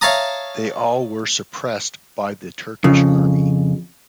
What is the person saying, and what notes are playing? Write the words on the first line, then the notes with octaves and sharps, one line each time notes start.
They all were suppressed by the Turkish Army.
C#5 E5 F5 A5 A#5 D#6
F2 C#3